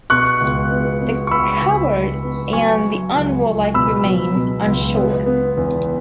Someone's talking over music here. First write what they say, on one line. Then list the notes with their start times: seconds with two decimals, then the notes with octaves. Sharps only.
The coward and the unwarlike remain unshorn.
0.10 B2 C#6 F#6
0.41 C#2
0.71 B3
1.01 B3
1.27 C#6
1.31 C#2 B5 E6
1.62 C#2
1.92 C#2
2.23 B3
2.53 F#3 G#5 C#6
2.83 F#3
3.14 C#2
3.44 C#2
3.74 B2 B5 E6
4.05 F#3
4.35 B2
4.66 C#2
4.96 B3
5.26 B3
5.57 E2